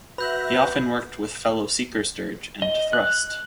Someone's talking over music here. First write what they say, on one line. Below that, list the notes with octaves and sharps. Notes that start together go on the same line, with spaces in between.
He often worked with fellow Seekers Dirge and Thrust.
F#4 B4 E5 B5 F#6 G6 A#6 F#7
D#5
F#6